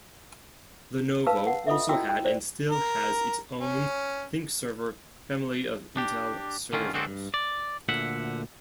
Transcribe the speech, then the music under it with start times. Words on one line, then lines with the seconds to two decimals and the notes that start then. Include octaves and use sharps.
Lenovo also had and still has its own ThinkServer family of Intel servers.
1.27 B4 F5 A5 E6
1.47 F#5
1.67 F4 A4 D#5 E5
1.89 E4 F#4 G5 E6
2.09 G5
2.25 C5 D5
2.71 A#4
3.60 C#4
5.97 D4 G4
6.73 D3 D#3 C#4 F4
6.93 D3 G#3 C4 D4 F#4 A4
7.07 G2
7.34 D5
7.89 D2 A#2 D3 E5 F#5